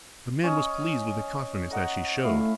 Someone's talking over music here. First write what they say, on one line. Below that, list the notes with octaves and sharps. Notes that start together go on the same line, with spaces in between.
The man was pleased with the confidence that she showed.
C#4 C#5 D#5
D#5 F#5 A#5
A3 E4 F5